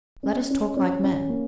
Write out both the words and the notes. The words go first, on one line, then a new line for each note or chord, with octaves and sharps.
Let us talk like men.
C#4
C#4
C#4
C#4
A#3